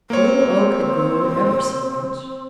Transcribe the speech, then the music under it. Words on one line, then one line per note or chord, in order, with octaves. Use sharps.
The Little Oak had grown ever so much.
A#3 C4 C#5